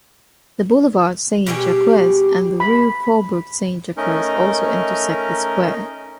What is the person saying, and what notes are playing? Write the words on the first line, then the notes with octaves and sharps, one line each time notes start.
The "Boulevard Saint-Jacques" and the "Rue Faubourg Saint-Jacques" also intersect the square.
B2 G3 G4 G#4
B5
A3 C#4 D#4 A#4 D#5